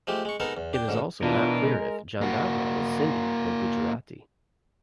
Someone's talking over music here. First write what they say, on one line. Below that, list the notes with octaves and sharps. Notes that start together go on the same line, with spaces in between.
It is also not clear if Jandavra is Sindhi or Gujarati.
F3 G#3 A3 G4
G#3 C#6
G#3 B3 D#4 A4 A#4
E2
D4 G5
A1 G#2 D3
B2 E3 D4 F4 A#4
G#3
A#3 F#4